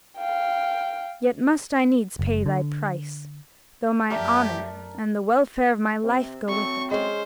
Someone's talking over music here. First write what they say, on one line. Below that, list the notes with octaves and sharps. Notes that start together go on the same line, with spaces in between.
Yet must I needs pay thy price, though my honour and the welfare of my life go with it.
F5 G5
F#1
D3
F#2 A3 G4 A#4 D5 E5 A5
C3 C4
F#3 A3 C4 C#6
G#3 C#4 C5